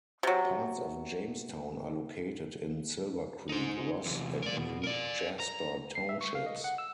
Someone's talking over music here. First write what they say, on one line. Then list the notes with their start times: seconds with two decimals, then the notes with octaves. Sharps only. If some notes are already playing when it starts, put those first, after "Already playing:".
Parts of Jamestown are located in Silvercreek, Ross, and New Jasper Townships.
0.23 C3 F#3
3.49 D#4 C5
4.06 E2 C3
4.42 A#4 D5
4.57 B2
4.84 A#4 D5
5.40 A#5
5.95 C7
6.09 E5
6.21 C#6
6.35 F5
6.46 D#5
6.64 F#5
6.78 E6